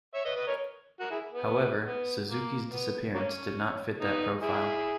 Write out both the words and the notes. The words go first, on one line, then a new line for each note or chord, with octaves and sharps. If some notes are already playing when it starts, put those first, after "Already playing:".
However, Suzuki's disappearance did not fit that profile.
C#5 E5
B4 D#5
B4 D#5
A#4 C#5
F#4 A#4
E4 G#4
B3
B3
A#3
B3
F#3 A#3 C#4
B3 D#4
E4 G#4